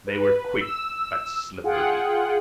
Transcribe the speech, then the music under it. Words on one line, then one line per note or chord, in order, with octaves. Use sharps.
They were quick, but slippery.
B4
E6
F4 G#4 F#5 G5